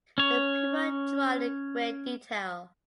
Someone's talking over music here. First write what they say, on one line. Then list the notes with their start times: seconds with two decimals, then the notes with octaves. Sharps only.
The people are drawn in great detail.
0.18 C#4 C#5